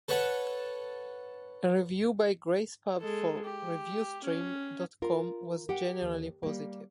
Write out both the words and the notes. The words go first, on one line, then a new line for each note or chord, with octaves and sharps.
A review by gracepub for ReviewStream dot com was generally positive.
A4 B4 C#5 F#5 A5
G#3 A4
G4
C#4
F4 A#4
G4 F#5 G5
D#2
G3 A#3